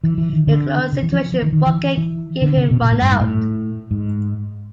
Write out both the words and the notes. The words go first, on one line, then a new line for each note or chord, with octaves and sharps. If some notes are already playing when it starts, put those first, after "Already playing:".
In a close situation, Crockett gave him run out.
E3
E3
D#3
D3
C#3
E3
F3
F3
D#3
D#3
E3
E3
D3
C#3
B2
A#2
A2
G2
G#2
A2
G#2